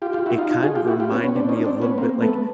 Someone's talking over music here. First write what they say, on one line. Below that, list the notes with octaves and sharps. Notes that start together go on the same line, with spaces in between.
it kind of reminded me a little bit, like
F4 G4
F4 G4
E4 F#4
D#4 F4
D#4 F4
F#4 G#4
F4 G4
E4 F#4
F4 G4
B3 C#4
B3 C#4
C4 D4
C#4 D#4
C4 D4
B3 C#4
A#3 C4
A3 B3